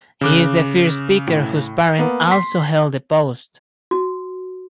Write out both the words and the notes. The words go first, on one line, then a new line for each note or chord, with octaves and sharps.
He is the first speaker whose parent also held the post.
C#3 D6 F#6
A2
A#3 B3
C6 B6
F#4